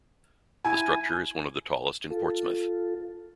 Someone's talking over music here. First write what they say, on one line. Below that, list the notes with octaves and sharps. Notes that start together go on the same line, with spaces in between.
The structure is one of the tallest in Portsmouth.
E4 G#5
F4 A4